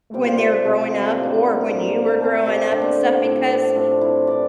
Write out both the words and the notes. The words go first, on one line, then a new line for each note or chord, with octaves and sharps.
when they're growing up or when you were growing up and stuff because,
C3 G3 C4 G4
F4
G4
C3 G3 C4 A4
A2 F3 A#3 D4 G4
A2 F3 A#3 D4
D3 A3 C4 A4
G4
D3 A3 C4 D4
A2 F3 C4
A2 F3 C4 D4
E4
E3 G3 D4 D5